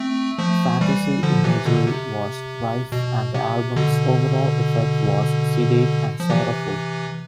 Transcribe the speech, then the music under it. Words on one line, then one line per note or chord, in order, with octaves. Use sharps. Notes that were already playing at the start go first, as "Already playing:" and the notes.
Fantasy imagery was rife and the album's overall effect was sedate and sorrowful.
Already playing: A3 C4
F3 A3
E3 G3
D3 F3
C3 E3
B2 D3
C3
B2
C3
B2 D3
F3
C3 E3